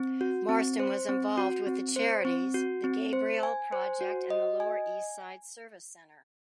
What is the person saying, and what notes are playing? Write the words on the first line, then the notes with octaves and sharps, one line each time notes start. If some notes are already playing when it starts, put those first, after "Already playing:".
Marston was involved with the charities The Gabriel Project and Lower Eastside Service Center.
Already playing: C4
F#4
C4
C5
C4
F#4
C4
C5
C4
F#4
C4
C5
G#5
C5
F#4
D#5
G#5